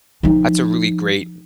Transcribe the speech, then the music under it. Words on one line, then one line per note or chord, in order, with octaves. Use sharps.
That's a really great,
F3 D#4